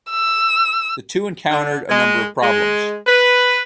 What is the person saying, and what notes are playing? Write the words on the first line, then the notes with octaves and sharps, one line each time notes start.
The two encountered a number of problems.
E6
D3
G#3
G#3
B4